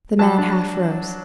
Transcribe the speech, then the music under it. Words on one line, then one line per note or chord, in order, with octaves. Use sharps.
The man half rose.
F#3 A5
D4